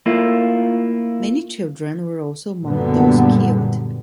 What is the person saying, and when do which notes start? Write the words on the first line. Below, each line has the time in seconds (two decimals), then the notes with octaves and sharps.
Many children were also among those killed.
0.06 A3 A#3 E4 F4
2.67 F#2 A#2 D3 G3 B3